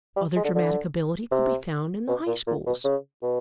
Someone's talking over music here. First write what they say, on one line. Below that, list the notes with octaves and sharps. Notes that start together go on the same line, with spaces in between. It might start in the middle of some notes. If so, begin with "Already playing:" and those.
Other dramatic ability could be found in the high-schools.
G3
G#3
D3
D3
C3
B2
A#2
A#2
B2
C#3
B2